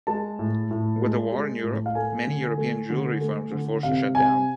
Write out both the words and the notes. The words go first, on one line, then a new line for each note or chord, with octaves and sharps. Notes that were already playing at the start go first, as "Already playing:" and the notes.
With the war in Europe, many European jewelry firms were forced to shut down.
G#3 A5
A2
A2
G#3
G#3
A2
F5
A3 G#5
D3
A3
D3
A3
D3
C3 F5
C3 G#5